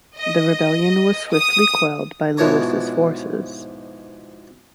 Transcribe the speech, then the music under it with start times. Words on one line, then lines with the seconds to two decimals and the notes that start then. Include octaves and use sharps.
The rebellion was swiftly quelled by Louis' forces.
0.18 D#5
1.31 D#6
2.37 G#2 B2 E3 F3 C#5 A#5